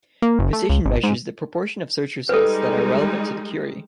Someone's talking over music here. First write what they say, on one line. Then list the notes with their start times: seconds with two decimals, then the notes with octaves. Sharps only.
Precision measures the proportion of search results that are relevant to the query.
0.22 A#3
0.39 F#1
0.53 A3
0.69 C#2
0.85 G#1
1.03 G#2
2.29 G3 G#3 D#4 A4 B4